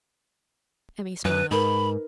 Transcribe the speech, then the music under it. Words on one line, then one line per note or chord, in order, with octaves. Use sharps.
Emmy smiled.
F#2 B4
G#2 D#4 A#4 B4 B5